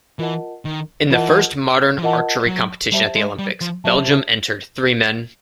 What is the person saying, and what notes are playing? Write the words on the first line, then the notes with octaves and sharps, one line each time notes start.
In the first modern archery competition at the Olympics, Belgium entered three men.
E3 F4 A#4 D#5 F#5 A5
D#3
E3 F4 A#4 D#5 F#5 A5
F3
E3 F4 A#4 D#5 F#5 A5
F#3
G3 G4 C5 E5 A5
G#3
G3
F3
F#3 G4 C5 E5 A5
C#3